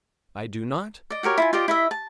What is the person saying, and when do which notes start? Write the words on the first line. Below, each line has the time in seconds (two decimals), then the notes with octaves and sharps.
I do not.
1.10 D5 D#5
1.23 F#4 G4 A#4 C#5
1.38 E4 F4 G#5
1.53 F4 G4 D5 D#5
1.68 E4 D#5 E5
1.91 A5